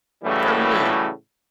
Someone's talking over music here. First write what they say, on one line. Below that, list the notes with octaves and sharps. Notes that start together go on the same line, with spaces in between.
for me
A2 C#3 E3 F#3 G3 A3